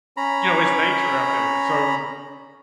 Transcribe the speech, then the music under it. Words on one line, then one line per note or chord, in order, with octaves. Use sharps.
You know, it's nature out there, so
C#4 A#5 B5